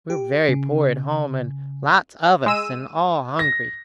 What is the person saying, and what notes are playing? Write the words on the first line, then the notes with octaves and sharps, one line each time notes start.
We're very poor at home, and lots of us, and all hungry.
G4
C#3
G#3 E6 D#7
A#6